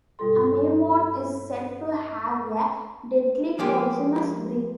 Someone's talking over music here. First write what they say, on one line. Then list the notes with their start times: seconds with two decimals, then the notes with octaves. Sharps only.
Amaymon is said to have a deadly poisonous breath.
0.19 G2 B2 G3 F4 A4 C6
3.59 F3 G#3 A#3 F4 G4